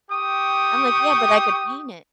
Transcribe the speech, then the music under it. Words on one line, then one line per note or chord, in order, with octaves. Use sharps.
I'm like, "Yeah, but I could paint it.
G4 G5 C#6 D#6